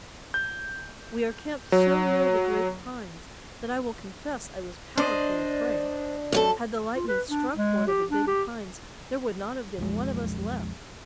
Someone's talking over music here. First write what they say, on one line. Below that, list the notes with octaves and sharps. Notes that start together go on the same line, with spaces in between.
We are camped so near the great pines that I will confess I was powerfully afraid. Had the lightning struck one of the big pines there would not have been one of us left.
G6
F#3
D4 C5 D5 D#5
F#2 G4 A4
F4
B4
D4
G#3
G4
D4
G4
B1 F2 G#3